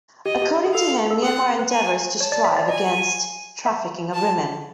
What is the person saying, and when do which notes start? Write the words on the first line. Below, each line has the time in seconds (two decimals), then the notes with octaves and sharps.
According to him, Myanmar endeavors to strive against trafficking of women.
0.26 G4 D#5
0.42 G4
0.65 G#4
0.74 A4 F5
1.11 A4
1.22 G#4 F#5
1.59 B4
1.71 G#5
2.20 C#5 A5
2.32 D5
2.44 E5
2.52 C#5
2.57 D5
2.69 D#5 G#5
3.66 E5
4.14 A5